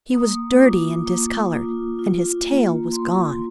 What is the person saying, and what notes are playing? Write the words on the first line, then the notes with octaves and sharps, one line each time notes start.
He was dirty and discolored, and his tail was gone.
A#3 D#6
F4 D6
A#3
F4
F4
A#3
A#3 C6